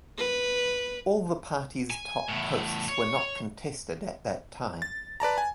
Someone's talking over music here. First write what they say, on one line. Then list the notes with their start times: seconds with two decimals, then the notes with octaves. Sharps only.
All the party's top posts were not contested at that time.
0.18 B4
1.91 G#5
2.29 E2 A2
2.88 C#5
4.82 A6
5.20 B4 D5 A5 A#5
5.38 G#5